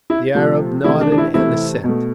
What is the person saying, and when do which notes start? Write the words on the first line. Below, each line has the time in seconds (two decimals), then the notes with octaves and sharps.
The Arab nodded an assent.
0.10 E4
0.35 C3 F3 A3
0.84 C3 E3 A3 E4
1.01 D4
1.12 D4
1.18 E4
1.34 C3 E3 A3 E4
1.84 B2 A3